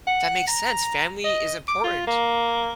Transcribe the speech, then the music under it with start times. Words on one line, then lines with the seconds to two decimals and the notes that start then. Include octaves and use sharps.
that makes sense. Family is important.
0.07 F#5
0.47 A#5
1.24 D#5
1.68 D6
1.84 F4
2.07 A#3